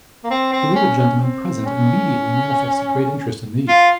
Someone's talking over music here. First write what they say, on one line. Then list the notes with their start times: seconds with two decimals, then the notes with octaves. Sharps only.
The legal gentlemen present immediately manifested great interest in these.
0.24 A#3
0.31 C4
0.53 C4
0.76 C#4
0.98 C#4
1.21 C4
1.66 C#4
3.69 F4